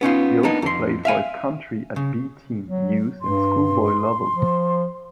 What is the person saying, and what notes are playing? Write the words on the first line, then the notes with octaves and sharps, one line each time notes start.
He also played for his country at 'B' team, youth and schoolboy level.
B3 C#4 D#4 F4
A#3 B3 D4 D#4
F2 C6
E5 F5 G#5
C#3
F#3
G2 C6
F3